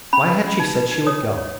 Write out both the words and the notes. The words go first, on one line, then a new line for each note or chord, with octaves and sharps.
Why had she said she would go?
C#4 B5
B4
C#4
D#4
B4
D#4
C#5 D#6
C#4
C#5